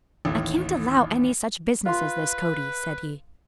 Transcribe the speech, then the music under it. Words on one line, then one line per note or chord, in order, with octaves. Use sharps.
"I can't allow any such business as this, Cody," said he.
A1 D#2
F4 B4 C6